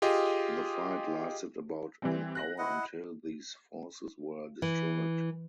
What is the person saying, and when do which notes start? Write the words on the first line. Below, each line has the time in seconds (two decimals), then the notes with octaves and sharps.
The fight lasted about an hour until these forces were destroyed.
0.02 F4 G4 G#4 D#5
2.02 E3 G3 C4
2.35 F#6 A#6 F#7
2.58 E4 D#5 F#5
4.62 E3